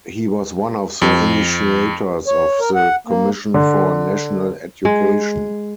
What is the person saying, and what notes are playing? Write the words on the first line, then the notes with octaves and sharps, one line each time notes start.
He was one of the initiators of the Commission for National Education.
F2
C#5
A#4
F#5
A#3
D3
G#3